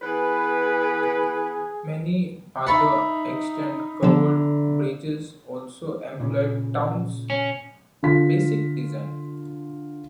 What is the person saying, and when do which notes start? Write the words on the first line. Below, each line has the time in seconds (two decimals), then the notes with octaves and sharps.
Many other extant covered bridges also employ Town's basic design.
0.02 E3 B3 G#4 B4
2.67 D#4 E5 A#5 B5 C#6 A6 C#7
4.03 D3 F3 B3 A4
6.20 A#2 C#3
7.30 C#4
8.03 D3 F4 B6